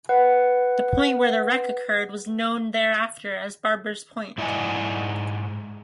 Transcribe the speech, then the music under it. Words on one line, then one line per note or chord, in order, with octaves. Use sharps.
The point where the wreck occurred was known thereafter as Barbers Point.
B4 F#5
G#2 E4 D5 D#5 F#5 G#5